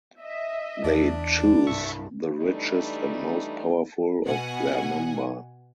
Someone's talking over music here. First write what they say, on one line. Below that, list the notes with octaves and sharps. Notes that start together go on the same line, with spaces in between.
They choose the richest and most powerful of their number.
D#5 E5
E2 D4
C2 G2 E5 C#6
E3 G3 A3 D4 D#4
B2 F#5 G#5